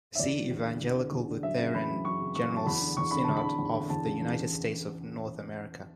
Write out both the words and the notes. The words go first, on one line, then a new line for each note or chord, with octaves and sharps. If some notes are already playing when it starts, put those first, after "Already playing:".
See Evangelical Lutheran General Synod of the United States of North America.
E5
E2 D5
D3
E2
D3
E2
D3
E2
D3
F#2 E5
C#3
E3 B5
F#2
F#2 C#6
C#3
E3 C#6
F#2
A5
E2 B5
D3
E2 C#6
D3 B5
E2 A5
B5
D3
E2
D3
E2 A5
C#3
E3